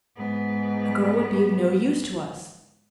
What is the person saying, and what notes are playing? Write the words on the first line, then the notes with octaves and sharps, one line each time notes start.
A girl would be of no use to us.
G#2 B3